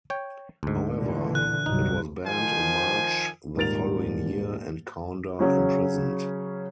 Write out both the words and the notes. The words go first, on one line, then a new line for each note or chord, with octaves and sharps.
However, it was banned in March the following year and Kaunda imprisoned.
C#5 G5
D2 G#2
A#2 D3 E3
F#6
C2 G2 F#3 D#4
D#3 F3 C5 G#5
D#1 G#2 A#4 A6 D7 F7
C#3 F#3 C#4